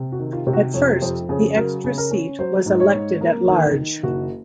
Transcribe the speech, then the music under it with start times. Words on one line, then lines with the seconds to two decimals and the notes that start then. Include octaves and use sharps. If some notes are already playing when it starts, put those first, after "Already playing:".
At first, the extra seat was elected at-large.
Already playing: C3
0.12 F#4
0.19 D#3
0.33 F4
0.47 C3
0.53 F#4
0.74 F2 C#5
1.01 F2 C5
1.29 C#3 G#4
1.56 F#3 A#4
1.84 C#3
1.98 A#4
2.11 C#4
2.39 F#3 C5
2.66 G#2
2.80 C#5
2.94 G#2
3.21 A#3
3.48 D#3
3.76 D#3
4.03 F#1 F#4